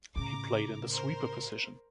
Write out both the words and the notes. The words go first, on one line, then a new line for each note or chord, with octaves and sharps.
He played in the sweeper position.
A2 C#3 A#5 D6
A#4 C5